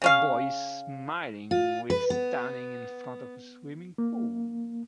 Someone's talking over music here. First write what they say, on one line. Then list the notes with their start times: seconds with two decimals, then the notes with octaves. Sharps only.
A boy is smiling whilst standing in front of a swimming pool.
0.02 C#3 C#4 F5
1.51 F4
1.90 B4
2.10 B3
3.98 A#3